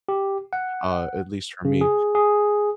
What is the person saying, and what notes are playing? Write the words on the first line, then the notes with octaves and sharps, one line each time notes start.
uh, at least for me,
G4
F#5
C#3
G#4
G#4